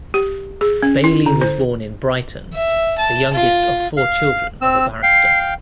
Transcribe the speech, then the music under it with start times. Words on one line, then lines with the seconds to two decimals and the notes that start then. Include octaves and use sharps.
Bayly was born in Brighton, the youngest of four children of a barrister.
0.14 G4
0.61 G#4
0.82 C#4
1.04 E4
1.26 D3
1.41 C5
2.54 E5
2.98 A5
3.33 F4
3.97 F5
4.61 C4 E6
5.03 F5 G5 C7